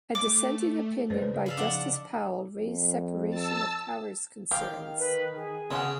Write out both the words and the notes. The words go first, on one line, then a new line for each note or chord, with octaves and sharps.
A dissenting opinion by Justice Powell raised separation of powers concerns.
A3 D6
F#2 A3 B4 C5 D5
C#3 A4
D5
A4 F5 B5
F3 D4 D#4 F5 F#5
F2
A5 E6
D#3 G4 F5
B4
G#4
C#3 G#3 C#4 F#4